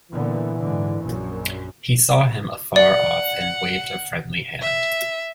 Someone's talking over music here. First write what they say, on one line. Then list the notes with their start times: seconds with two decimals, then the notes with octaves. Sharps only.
He saw him afar off and waved a friendly hand.
0.11 A#2 D3 E3 B3
0.58 G#2 D3
1.02 A#1 F#2
2.76 D5 F#5
4.62 E5